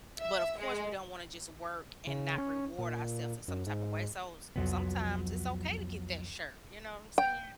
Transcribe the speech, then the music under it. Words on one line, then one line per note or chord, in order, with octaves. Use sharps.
but, of course, we don't wanna just work and not reward ourself in some type of way, so s sometimes it's okay to get that shirt, you know what I'm saying?
E5
G#3
C#3
C#4
A#2
F#2
G#2
C2 F2 F3 F#3 B3
G5